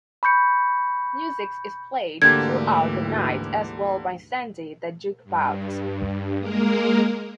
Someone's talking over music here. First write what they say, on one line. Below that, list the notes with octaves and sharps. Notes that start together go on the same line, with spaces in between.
Music is played throughout the night as well by Sandy the Jukebox.
B5 C#6 G6 C#7
D2 G#2 D3 E3 A#3 G4 G#6
G2
G#3 A#3 A#4